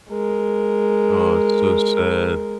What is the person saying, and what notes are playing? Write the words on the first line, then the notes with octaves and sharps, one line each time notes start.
Oh, it's so sad.
G#3 A#4